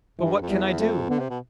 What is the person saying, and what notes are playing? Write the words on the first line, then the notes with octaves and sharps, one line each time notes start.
"But what can I do?"
G2 E3
F2
E2 G3
F2 A3
D3 B3
C3
B2